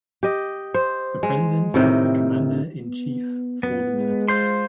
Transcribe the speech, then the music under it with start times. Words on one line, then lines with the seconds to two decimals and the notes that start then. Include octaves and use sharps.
The president is the commander in chief for the military.
0.23 G4 D#5
0.74 C5
1.23 G#3
1.74 A2 C3 D#3 G5
2.83 B3
3.63 F#2 B3
3.94 G#3
4.28 F4 C5 C6